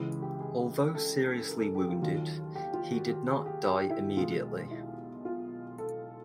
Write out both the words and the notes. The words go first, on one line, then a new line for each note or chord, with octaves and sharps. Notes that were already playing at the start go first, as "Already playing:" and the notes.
Although seriously wounded, he did not die immediately.
Already playing: C#2 C#3 E3 G#3 E4
G4
G#4
A4
A#4
A4
G4
F4
D#2 D#3 F#3 F4
G4
F4
F#4
G4
G#4
G4
G4
E4
B1 B2 G#3 F4
E4
F4
A4